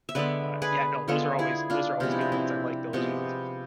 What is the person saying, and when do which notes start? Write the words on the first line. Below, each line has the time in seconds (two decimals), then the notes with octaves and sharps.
but, yeah, no, those are always those are always good ones, I like those ones
0.09 E5
0.15 D3 G#3 B3 B4 D5
0.62 G#4 B4
1.08 D3 G#3 B3 F4 A4
1.39 E4 G#4
1.70 D4 F4
2.00 C3 F3 G#3 B3 F4
2.11 E4
2.21 D4
2.32 C4 E4
2.93 C3 F3 G#3 B3